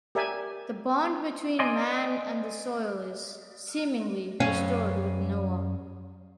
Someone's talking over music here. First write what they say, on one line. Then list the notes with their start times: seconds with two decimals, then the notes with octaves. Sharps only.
The bond between man and the soil is, seemingly, restored with Noah.
0.15 G4 A#4 D5 E5 G5 G#5
1.59 D5 D#5 G#5 C6
4.40 F#2 C#4 F5